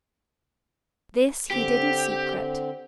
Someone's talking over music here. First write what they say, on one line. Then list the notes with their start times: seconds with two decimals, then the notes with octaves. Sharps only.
This he did in secret.
1.51 D3 C4 G4